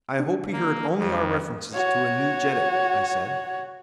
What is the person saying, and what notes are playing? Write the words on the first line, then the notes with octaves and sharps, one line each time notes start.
"I hope he heard only our references to a new Jeddak," I said.
D4
A#3
F2
F#4 C#5